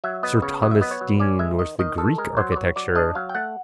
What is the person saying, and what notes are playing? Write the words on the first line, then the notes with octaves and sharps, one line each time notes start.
Sir Thomas Deane was the Greek architecture.
F#3 E5
B3 D#5
C#3 C#5
F#3 D#5
E5
B3 D#5
C#5
F#3
C#4 D5
G#3 E5
D#3 D#5
D#3 D#5
D#3 A4
G#3 A#4
F#3 C5
D5
F#3 C#5
F#3 D5
D4 D#5
F#3 F5
G5
A3 F#5